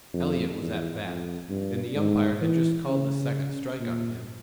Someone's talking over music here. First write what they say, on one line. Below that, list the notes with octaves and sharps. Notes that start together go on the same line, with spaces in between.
Eliot was at bat, and the umpire had just called the second strike on him.
F2
E2
F2
G2
G#2
E3
C#3
A#2